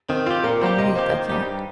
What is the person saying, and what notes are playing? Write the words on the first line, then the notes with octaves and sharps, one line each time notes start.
I'm weak, I can't....
D#3 C4
C4 F4 G4
A#2 A#4
G3 A#3 G4 C5
C3 D#5
F3 A#3 G4 C5
D#3 C5
G3 D#4 G4
G2